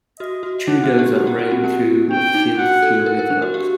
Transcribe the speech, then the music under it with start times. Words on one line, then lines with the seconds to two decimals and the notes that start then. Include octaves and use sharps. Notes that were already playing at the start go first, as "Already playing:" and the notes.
Two dogs are running through a field filled with logs.
0.19 F#4 D#5
0.43 F#4
0.67 D#4 F#5
0.84 F#4
0.99 G4
1.15 F#4 F#5
1.27 G4
1.39 F#4
1.51 C4
1.64 A#3
2.11 D4 G5
2.35 D#4
2.58 F#4 F#5
2.82 A4
3.06 A#4 F#5
3.19 A#4
3.30 D4
3.42 F#4
3.54 G4